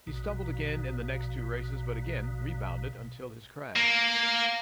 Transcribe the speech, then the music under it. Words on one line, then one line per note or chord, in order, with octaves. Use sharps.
He stumbled again in the next two races but, again, rebounded until his crash.
A#1 B2
A#3